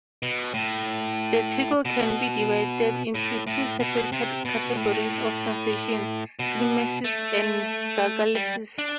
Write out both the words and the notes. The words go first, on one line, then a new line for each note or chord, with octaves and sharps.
The tickle can be divided into two separate categories of sensation, knismesis and gargalesis.
B2
A2
B2
A2
A2
B2
C3
B2
A2
B2
A3
G3
D4